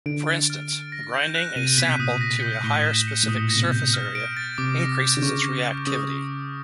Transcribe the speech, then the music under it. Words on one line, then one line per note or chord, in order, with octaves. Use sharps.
For instance, grinding a sample to a higher specific surface area increases its reactivity.
D3 D7
A6
F6
D7
A#6
G6
F#6
C3 D#7
B2 B6
A#2 D#6
A#6
G6
A2 G7
E7
C#7
A2
A#2 D#6
A#6
C3
B2
G6
F6
D7
A6
C3 D6
A#6
G6
D3
C#3 C#6
A#6
F6
C#3 D#6